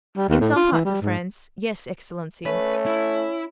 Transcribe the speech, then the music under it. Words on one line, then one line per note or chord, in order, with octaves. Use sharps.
"In some parts of France--yes, excellency."
G3
D#2
A2
F4
E3
G3
G#2
A3 C#4 B4
E4